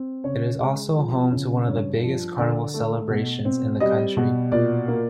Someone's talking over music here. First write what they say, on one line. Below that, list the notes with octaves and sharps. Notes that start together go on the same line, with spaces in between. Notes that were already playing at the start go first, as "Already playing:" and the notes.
It is also home to one of the biggest carnival celebrations in the country.
Already playing: C4
C#3 C#5
G#3
F3
C#3
G2 C#5
F3
D3 D5
A3
B2
C4
G3 D#5
B2
A#2 D5
A#3